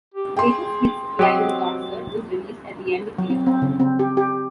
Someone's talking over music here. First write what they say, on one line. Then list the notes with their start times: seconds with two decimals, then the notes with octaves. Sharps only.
"Greatest Hits-Live in Concert" was released at the end of the year.
0.14 G4
0.37 G#4 G5 C6
1.19 F#3 C4 G4 D#5
3.18 F#3
3.30 C4
3.46 C4
3.62 C#3
3.80 C4
3.99 G4
4.17 G4